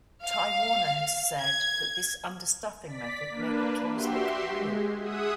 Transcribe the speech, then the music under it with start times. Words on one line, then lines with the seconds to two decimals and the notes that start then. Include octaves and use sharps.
Ty Warner has said that this understuffing method made the toys look "real".
0.24 F5
1.40 G#6
2.86 D5 B6
3.29 A#3 D4 B4
3.91 F#4 G4 E5 C6
4.54 G#3
5.01 G#4 E5 F#5 D#6